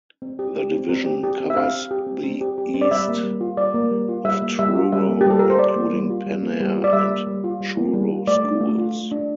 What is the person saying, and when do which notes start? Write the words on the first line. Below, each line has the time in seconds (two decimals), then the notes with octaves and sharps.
The division covers the east of Truro including Penair and Truro schools.
0.22 C4
0.39 G4
0.56 G4
0.72 C4
0.89 C4
1.06 G4
1.23 G4
1.40 C4
1.50 E5
1.57 C4 F5
1.74 G4
1.91 G4
2.07 C4
2.24 C4
2.41 G4
2.58 G4
2.74 C4
2.81 D5
2.91 G3 E5
3.08 A#3
3.24 G3
3.41 F4
3.57 G3 D5
3.74 A#3
3.91 G3
4.09 F4
4.25 G3 E5
4.42 A#3
4.59 G3 E5
4.75 F4
4.92 G3 E5
5.09 A#3
5.21 G4
5.26 G3 A4
5.39 F4 A#4
5.50 C5
5.59 G3 D5
5.76 A#3
5.93 G3
6.10 F4
6.26 G3
6.42 A#3
6.60 G3
6.76 F4
6.84 D5
6.93 G3 E5
7.10 A#3
7.27 G3
7.44 F4
7.60 G3
7.77 A#3
7.94 G3
8.11 F4
8.27 A3 D5
8.44 D4
8.60 A3
8.78 F4
8.95 A3
9.12 D4